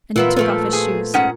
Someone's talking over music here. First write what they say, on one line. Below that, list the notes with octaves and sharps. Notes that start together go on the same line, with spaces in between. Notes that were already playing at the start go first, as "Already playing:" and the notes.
And he took off his shoes.
A#2 E3 B3 E4 F4 A#4
F3 A3 B3
G#4
G#2 C#4 F#5